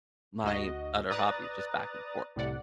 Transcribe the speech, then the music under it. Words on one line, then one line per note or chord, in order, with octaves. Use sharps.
my other hobbies, just back and forth.
D2 F#4 D#5
B4 D5 A#5 D#6 F#6 A6
C2 A2 C3 D5 F#5